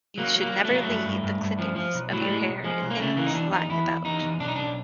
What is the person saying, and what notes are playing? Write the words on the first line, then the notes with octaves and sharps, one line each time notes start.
You should never leave the clippings of your hair and nails lying about.
F#3 A#3
F#3
A#3
F#3
A3
F#3 A#3
A3
G2
G2
G2
G2
F3
F3
B1
A2 F#3
G3
A2 G#3
B1
F3 G#3
B1
A#3
C#3 A3
E3 A#3
D#4
E2 D4
E2 D#4
E2 E4
E2
E2 D#4
E2
B1 D4
D#4
B1 D4